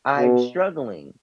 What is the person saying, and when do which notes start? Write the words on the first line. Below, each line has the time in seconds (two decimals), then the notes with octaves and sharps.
I'm struggling."
0.17 B2